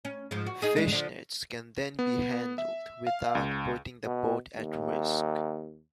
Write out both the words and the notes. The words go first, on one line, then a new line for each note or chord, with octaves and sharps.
Fishnets can then be handled without putting the boat at risk.
C#4
G#2 F3
F#4
D#4 G#4
G#3 D4
D3 F3 D4
B3
E5
F5
C#2
B2
D#2